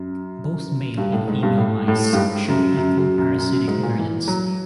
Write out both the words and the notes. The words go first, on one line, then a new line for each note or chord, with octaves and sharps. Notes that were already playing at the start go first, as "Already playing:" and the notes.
Both male and female mice show equal parasitic burdens.
Already playing: F#2
G2
A2
G#2
G2
A2
A2
G2
G#2
F#2
F#2
F#2
F#2
F#2
F#2
G#2
A#2
E3
F#3